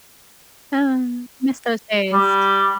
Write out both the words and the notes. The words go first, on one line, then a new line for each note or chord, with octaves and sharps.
Um, miss those days.
G3